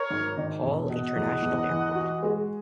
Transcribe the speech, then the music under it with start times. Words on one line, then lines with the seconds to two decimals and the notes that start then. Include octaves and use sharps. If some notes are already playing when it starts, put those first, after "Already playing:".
Paul International Airport.
Already playing: A#4 C#5
0.11 G#1
0.37 D#3
0.63 E1
0.90 B2 D#5 F#5
1.16 E2
1.43 E2
1.69 E3
1.95 F#4
2.23 G#3